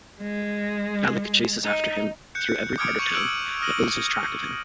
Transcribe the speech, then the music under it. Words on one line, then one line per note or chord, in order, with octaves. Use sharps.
Alec chases after him through every part of town, but loses track of him.
G#3
D#4
F#6 G6 C#7
D6 D#6 F6 G#6 C#7 D7
C#6 G6 C#7 D#7 F7 F#7
E6 D7 F#7
D#6 F6 A#6 D#7 F#7